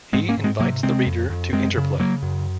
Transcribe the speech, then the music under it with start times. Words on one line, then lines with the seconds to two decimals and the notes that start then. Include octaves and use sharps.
He invites the reader to interplay.
0.13 G#2 G#3 C4
0.29 A#3 C#4
0.37 G#2
0.44 G#3 C4
0.59 C3 F#3 A#3
0.83 C3 G#3 C4
1.06 F2
1.30 F2
1.52 F#2 G#3 C4
1.77 C#3
1.99 C#3 F#3 A#3
2.22 F#2